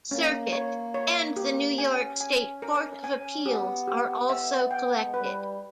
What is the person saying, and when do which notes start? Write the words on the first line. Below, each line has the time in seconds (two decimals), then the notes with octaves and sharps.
Circuit, and the New York State Court of Appeals are also collected.
0.10 A#3 C#4
0.53 C#5
0.94 C#5
1.36 G4
1.78 C#4 G#5
2.21 G#5
2.62 A#4
3.04 G#5
3.46 B3 G4
3.88 G4
4.30 E5
4.71 G5
5.03 G#3
5.13 G3 B4